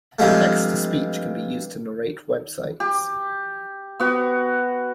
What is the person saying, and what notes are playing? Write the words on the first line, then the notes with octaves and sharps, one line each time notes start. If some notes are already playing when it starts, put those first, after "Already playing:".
Text to speech can be used to narrate websites.
G2 C3 F3 G#3 A3
G4
B3 F#4